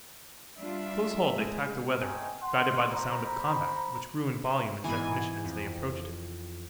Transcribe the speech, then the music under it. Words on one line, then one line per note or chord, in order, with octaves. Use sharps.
Close-hauled they tacked aweather, guided by the sound of combat, which grew in volume and definition as they approached it.
G3 D4 F4 E5
A2 G#3
A3 C4 C#4 D#4 G5 G#5
F#5 C6
C5 A#5 B5
G#2 E3 B3 G#4 G#5
F2